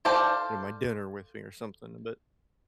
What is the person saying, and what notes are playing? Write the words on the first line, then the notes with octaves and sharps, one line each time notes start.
you know, my dinner with me or something, but
A4 C5 D5 F5 A5